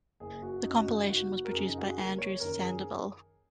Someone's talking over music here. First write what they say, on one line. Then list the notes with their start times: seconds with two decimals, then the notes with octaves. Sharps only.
The compilation was produced by Andrew Sandoval.
0.20 F#1 G#4
0.42 F#4
0.64 F#2 C#3 D#4
0.78 F#4
0.87 D#4
1.09 F#1 F#4
1.45 A#4
1.52 F#2 C#3 G#4
1.68 D#4
1.78 F#4
1.87 G#4
1.96 F#1 A#4
2.18 C#5
2.35 C#5
2.40 F#2 D#3 A#4
2.62 G#4